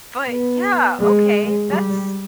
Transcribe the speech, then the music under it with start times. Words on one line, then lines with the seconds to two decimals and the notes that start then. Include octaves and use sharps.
But, yeah, okay, that's
0.29 B3
1.00 G#3
1.70 G3